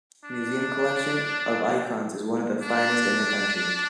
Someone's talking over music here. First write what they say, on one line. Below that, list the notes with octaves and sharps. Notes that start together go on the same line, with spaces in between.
Museum collection of icons is one of the finest in the country.
D4
D4